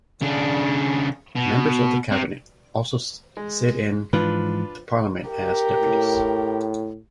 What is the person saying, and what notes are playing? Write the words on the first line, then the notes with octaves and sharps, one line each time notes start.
Members of the cabinet also sit in the parliament as deputies.
C#3 D4
B2
C3
G#3
G#2 E3 F3 D4 F4 B4
G4 A#4
A2